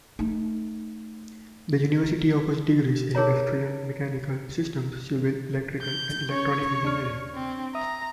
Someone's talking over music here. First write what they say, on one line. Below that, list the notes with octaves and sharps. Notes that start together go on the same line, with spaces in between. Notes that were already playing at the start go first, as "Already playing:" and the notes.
The university offers degrees in industrial, mechanical, systems, civil, electrical and electronic engineering.
A3 D#4
D#4 G#4 A#4 C#5 A#5
G6
C#4 C#5
D#2 D4 F6
C4
E5 A#5 D#6